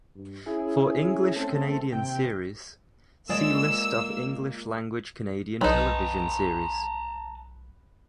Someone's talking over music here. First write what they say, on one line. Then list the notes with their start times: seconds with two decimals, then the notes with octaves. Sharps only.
For English Canadian series, see List of English-language Canadian television series.
0.15 G2
0.46 C#4 E4 G#4
1.36 A3 C4 A4
1.92 D#2 C3 G5
3.29 G#3 A#3 F4 D5 E6
5.61 B1 B3 D#4 A5 A#5